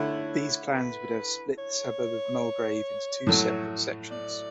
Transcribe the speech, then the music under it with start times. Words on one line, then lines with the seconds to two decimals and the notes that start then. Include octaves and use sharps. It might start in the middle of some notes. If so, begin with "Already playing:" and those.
These plans would have split the suburb of Mulgrave into two separate sections.
Already playing: D3 A3 E4 C#5
0.74 B4
1.58 C#5
3.27 A2 F#3 A3
4.11 D5